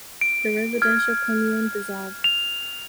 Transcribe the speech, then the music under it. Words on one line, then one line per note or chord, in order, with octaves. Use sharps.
The residential commune dissolved.
D7
F6 G#6
F7